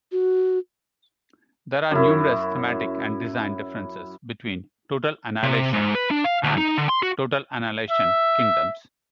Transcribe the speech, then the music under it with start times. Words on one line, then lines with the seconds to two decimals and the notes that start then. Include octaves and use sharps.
There are numerous thematic and design differences between "Total Annihilation" and "Total Annihilation: Kingdoms".
0.12 F#4
1.91 F#2 E4
5.43 C3
5.73 G#2
5.95 B4
6.11 D4
6.24 F5
6.44 D2
6.58 D#4
6.78 D3
6.89 C6
7.03 F#4
7.90 E5